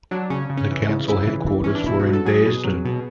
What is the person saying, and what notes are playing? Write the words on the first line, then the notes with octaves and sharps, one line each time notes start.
The council headquarters were in Bearsden.
F#3 D4
C#3 C#4
C#3
C#4
E3
C#3
C#3 E4
E3
E3
E3 C#4
D4
B2 E4
F#4
F#3
A4
F#3 G#4
B2
F#3
B2